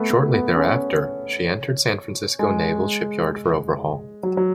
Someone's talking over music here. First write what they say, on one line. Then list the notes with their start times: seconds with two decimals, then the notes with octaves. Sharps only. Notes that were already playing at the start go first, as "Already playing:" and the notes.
Shortly thereafter, she entered San Francisco Naval Shipyard for overhaul.
Already playing: A3 B3
0.10 A3
0.33 B3
0.56 C#4
2.39 G#3
4.23 F#3
4.37 F#3